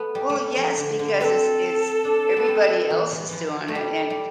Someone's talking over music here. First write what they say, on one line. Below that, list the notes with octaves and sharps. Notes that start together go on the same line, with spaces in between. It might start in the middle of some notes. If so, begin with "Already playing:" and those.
Well, yes, because it's it's everybody else is doing it and,
Already playing: A3 B3
G3
A3
G3
F3
D3
D3
C4 A4 B4
D4
B3
C4
B3
E3
E3
E3 F3
A3
G3
G3